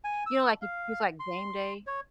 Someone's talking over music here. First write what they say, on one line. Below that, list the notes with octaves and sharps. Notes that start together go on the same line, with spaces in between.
you know, like, if it's, like, game day.
G#5
E6
F5
C6
C#5